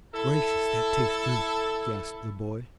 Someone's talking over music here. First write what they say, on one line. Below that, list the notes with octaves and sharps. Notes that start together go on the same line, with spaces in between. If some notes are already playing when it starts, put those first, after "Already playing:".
"Gracious, that tastes good!" gasped the boy.
E4 A4